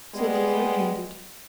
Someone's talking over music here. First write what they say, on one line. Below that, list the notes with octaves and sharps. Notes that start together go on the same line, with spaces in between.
So the letter ended.
G3 G#3 B3